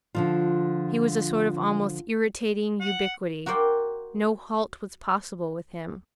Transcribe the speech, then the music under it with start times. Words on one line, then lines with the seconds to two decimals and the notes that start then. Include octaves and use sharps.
He was a sort of almost irritating ubiquity; no halt was possible with him.
0.15 D3 F3 F4
2.81 F#5
3.46 F#4 A#4 C5 D5 F#5 G5